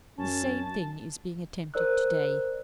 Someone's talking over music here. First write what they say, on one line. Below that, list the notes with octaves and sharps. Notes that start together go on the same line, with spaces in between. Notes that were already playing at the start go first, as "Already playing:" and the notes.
The same thing is being attempted to-day.
F#2 C#4 A5
A#4 C5 D5 E6 F#6